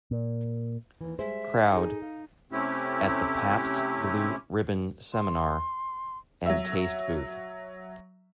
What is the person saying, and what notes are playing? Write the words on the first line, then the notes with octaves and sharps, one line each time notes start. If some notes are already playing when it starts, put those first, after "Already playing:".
Crowd at the Pabst Blue Ribbon seminar and taste booth.
A#2
D#2 E3
G3 G#3 C5 E5
D#4 G#4 A4
F5
C3 A3 C4 C#4 E4 G4
C6
F#3 E5